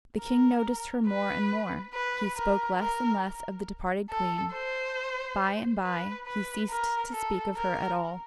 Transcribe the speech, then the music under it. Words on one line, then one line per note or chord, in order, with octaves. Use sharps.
The king noticed her more and more--he spoke less and less of the departed queen; by and by he ceased to speak of her at all.
A#4
B4
B4
A#4
A#4
A4
C5
B4
B4
A#4
A4
A#4